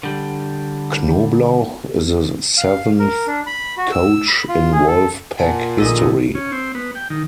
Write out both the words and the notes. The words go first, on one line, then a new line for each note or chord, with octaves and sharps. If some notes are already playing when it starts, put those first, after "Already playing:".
Knoblauch is the seventh coach in Wolf Pack history.
D3 G3
F5
A#4
D4
B5
F#4
E6
B5
F4
G#4
A4
A#2 F#5 G#5 A5
A#1 D#3 D4 F4 G#4 A4 D#5 E6
C#4
C4
B3
G5
D#3